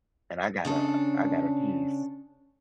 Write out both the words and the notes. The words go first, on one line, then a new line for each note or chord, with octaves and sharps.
and I got a I got a piece.
C#3 D4 A4